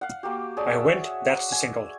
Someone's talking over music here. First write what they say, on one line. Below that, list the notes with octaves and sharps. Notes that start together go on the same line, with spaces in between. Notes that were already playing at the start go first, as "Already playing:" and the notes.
I went, That's the single!
F5 F#5
A#3 F#4 G4
G#4 C#5 D5 A5
E5 F#5 G#5
G#5